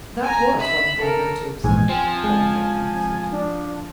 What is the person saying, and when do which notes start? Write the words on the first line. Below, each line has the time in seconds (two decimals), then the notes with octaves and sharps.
"That was one of my motives," Bennydeck answered.
0.23 G#5 A#5
0.58 E5 B5
0.99 A4 A#4
1.64 A#1 E2 G#2 G#5
1.89 F3 C4
2.24 G#3
3.32 D4